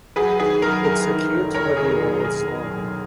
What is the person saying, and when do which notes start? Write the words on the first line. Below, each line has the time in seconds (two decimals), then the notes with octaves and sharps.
Its acute ligule is long.
0.16 F#3 G#4 B4
0.39 D#3 G#4
0.62 F#2 A#4
0.85 F#1 A#4
1.08 D#3
1.32 F1
1.54 F1 A#4 C#5
1.77 D#2 G#4
1.85 A#4
2.01 B1 G#4
2.20 A#4
2.24 B1 G#4
2.47 B1 A#4
2.70 B1